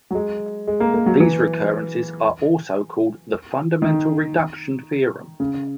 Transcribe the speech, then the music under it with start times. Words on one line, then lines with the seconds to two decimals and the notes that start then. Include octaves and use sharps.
These recurrences are also called the Fundamental Reduction Theorem.
0.11 F#3
0.15 G#3
0.67 G#3
0.80 A#3
0.94 A#3
1.06 F#3
1.20 E3
3.82 D#3
5.40 C#3